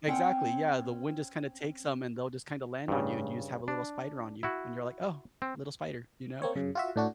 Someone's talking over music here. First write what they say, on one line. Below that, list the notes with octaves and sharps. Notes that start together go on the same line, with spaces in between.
exactly, yeah, the wind just kind of takes 'em, and they'll just kind of land on you, and you just have a little spider on you, and you're like, "Oh, little spider," you know?
C4 C#4 F#5 G5
G2 C#3
D4
E4 F#4
C4
A#3 C4 C#5
F#2 C#3
F4 F#4 E5
A2 D4 F#4